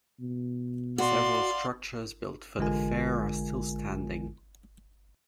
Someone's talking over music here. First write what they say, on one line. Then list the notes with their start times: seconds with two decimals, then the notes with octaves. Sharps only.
Several structures built for the fair are still standing.
0.20 B2
0.98 F#4 D5 F5 C6
2.59 A1 D3 G#3 F4 A#4 G#5